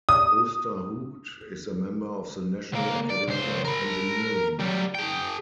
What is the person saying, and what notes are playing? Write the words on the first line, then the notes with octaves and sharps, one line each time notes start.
Ousterhout is a member of the National Academy of Engineering.
D#6
C#2 A#3
D5
C#2 C5
A#4 B5
F#3 G3
G#4 G5